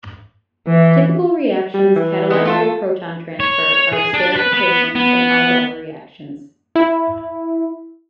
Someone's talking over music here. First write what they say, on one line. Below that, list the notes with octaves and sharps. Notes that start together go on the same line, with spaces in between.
Typical reactions catalyzed by proton transfer are esterfications and aldol reactions.
E3
G3
E3
B3 C4 D#4
A3 F4 A4
C#5
G#4
D4
B4
B3
B3
E4